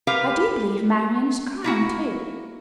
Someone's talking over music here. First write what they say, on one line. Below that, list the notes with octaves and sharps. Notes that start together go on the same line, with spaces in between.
I do believe Marian is crying, too.
G4 A#4 B4 F5
A#3 E4 F#4